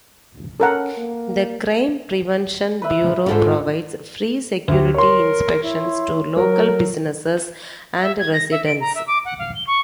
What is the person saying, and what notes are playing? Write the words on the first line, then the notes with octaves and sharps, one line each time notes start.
The Crime prevention Bureau provides free security inspections to local businesses and residents.
C#4 A4 A#4 F#5
A#3
B4 E5
G#2 D3 F4 A4 C5
D2 G4
A#4 C#5 C6
E4
F#3 A#4
E5
G#6
A#6
E5
D7
A#5
E5
D6
F#5
F5
G7
C#6